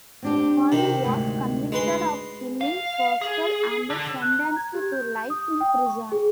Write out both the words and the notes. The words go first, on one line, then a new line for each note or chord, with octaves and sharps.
Acoli was convicted of killing Foerster and sentenced to life in prison.
C4 D4 G4
C3 D#3
D2 G#2
G#3 B4 C6
F5
G#4
D3
F#6
A#5
G#6
G4
G6
D#6
G5
C#6
G#4